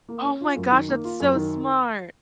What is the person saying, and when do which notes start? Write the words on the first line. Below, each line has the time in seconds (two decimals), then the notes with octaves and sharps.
Oh my gosh. That's so smart.
0.09 A#3
0.25 C#4
0.41 F4
0.56 F#2
0.72 D#3
0.89 A#3
1.05 F4
1.20 F#2
1.35 D#3